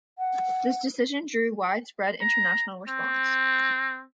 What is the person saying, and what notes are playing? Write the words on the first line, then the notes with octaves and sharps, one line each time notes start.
This decision drew widespread international response.
F#5
A#5
C4